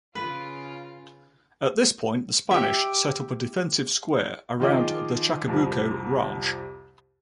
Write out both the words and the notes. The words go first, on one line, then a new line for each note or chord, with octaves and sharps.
At this point, the Spanish set up a defensive square around the Chacabuco Ranch.
C#3 F4 B4
G4 E5
D#3 F3 F4 G#4 D#5 D6
C2 F2 C3